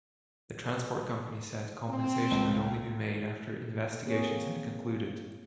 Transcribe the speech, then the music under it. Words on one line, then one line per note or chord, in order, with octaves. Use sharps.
The transport company said compensation would only be made after investigations had concluded.
C4
C#2
A#3 C4 G#4 C#5